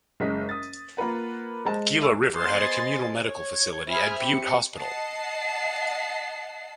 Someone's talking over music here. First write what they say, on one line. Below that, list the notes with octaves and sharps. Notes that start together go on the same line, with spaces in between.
Gila River had a communal medical facility at Butte Hospital.
F#1 G#3 D#5 B6
D#6 A6
A#3 F4 A#4 B4 F#5
G#3 C5 A5
E5 E6
B3 G#4 C5 D#5 C6 A6
C#5
G#4 C5 E5 B5 F6
C4 G4 C#7
D#5 F#5 A5 C7